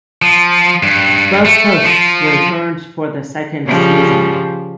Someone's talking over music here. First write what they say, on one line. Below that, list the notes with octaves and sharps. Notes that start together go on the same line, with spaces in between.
Both hosts returned for the second season.
F3
G2
A3
F3
C#3 F3 G3